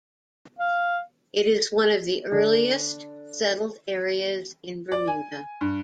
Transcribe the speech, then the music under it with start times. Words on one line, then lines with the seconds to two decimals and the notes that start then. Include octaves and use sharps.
It is one of the earliest settled areas in Bermuda.
0.59 F5
2.32 D3 D4
4.92 D5
5.07 G#5
5.61 G2